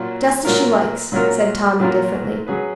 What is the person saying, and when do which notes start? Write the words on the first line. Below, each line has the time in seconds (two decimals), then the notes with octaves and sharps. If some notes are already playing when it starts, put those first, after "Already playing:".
"Just as she likes," said Tom indifferently.
Already playing: A#2 F#3 C#4 F4
0.45 A#2 F#3 C#4 F4 A#4
1.12 A#2 F#3 C#4 F4 A#4
1.80 A#2 F#3 C#4 F4 A#4
2.47 F#3 C#4 G#4 B4